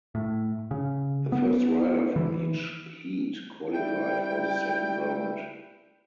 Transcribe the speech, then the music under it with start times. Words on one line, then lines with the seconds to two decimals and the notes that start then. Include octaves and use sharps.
The first rider from each heat qualified for the second round.
0.15 A2
0.71 C#3
1.32 B3
2.16 E3
3.73 G3 E4 G5